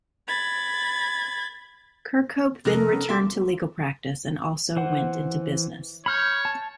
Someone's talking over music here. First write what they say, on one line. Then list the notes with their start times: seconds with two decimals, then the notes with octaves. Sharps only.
Kirkhope then returned to legal practice and also went into business.
0.27 B5 G#6 A6
2.65 F2 C3 D#4 A4 A#4 F#6
2.91 B3 C#4 B4
3.09 F#4 E5 C6 D6
4.77 E3 C5 F#5
6.06 C#5 B5 F6 G6
6.45 A5